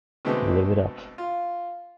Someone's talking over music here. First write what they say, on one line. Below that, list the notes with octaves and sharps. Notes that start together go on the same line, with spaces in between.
Live It Up!
B2 D3 G#3 A3 B3 C4
F4